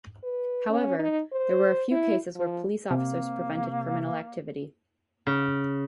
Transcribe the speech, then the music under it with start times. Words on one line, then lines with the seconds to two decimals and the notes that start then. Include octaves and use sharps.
However, there were a few cases where police officers prevented criminal activity.
0.24 B4
0.69 C#4
0.99 D#4
1.32 C5
1.91 E4
2.35 F3
2.91 C3 A#3
5.27 C#3